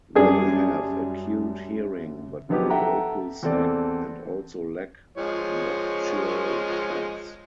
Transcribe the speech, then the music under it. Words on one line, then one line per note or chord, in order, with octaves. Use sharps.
They have acute hearing, but no vocal sac, and also lack nuptial pads.
F#2 F#3 G3 D4 G#4
D3 F3 F#3 B3 D#4 G4
A4 E5 F#5 G5 A#5
E2 C4 A4 D5
F3 G#3 C#5